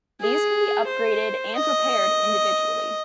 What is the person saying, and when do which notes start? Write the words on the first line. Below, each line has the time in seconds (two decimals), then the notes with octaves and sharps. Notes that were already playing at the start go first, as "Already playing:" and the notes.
These can be upgraded and repaired individually.
0.20 G#4
0.88 C5
1.56 D#5